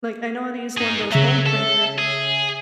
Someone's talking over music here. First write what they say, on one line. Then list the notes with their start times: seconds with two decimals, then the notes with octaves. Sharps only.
Like, I know how to use one of those home printers
0.78 D#4 G#4
1.12 C#3 F#3 E5
1.46 A4
1.98 G#4